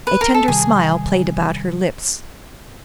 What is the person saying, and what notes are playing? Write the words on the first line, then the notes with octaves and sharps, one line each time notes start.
A tender smile played about her lips.
B4
A#4
A4
C3 D#3 G3 G#4